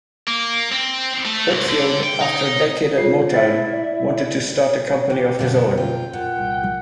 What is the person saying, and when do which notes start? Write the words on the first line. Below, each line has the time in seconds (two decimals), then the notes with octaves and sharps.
Whitfield, after a decade at Motown, wanted to start a company of his own.
0.28 A#3
0.72 C4
1.25 A3
1.51 C2
1.69 D3
2.03 G5
2.21 D#4
2.98 F4 G#4 C7
3.34 E4 A6
3.73 D5
5.10 E2 G4
5.39 F#2 B2 D3 A#3 B3 D4
5.77 F4 G5
6.13 A#2 F#5
6.38 C2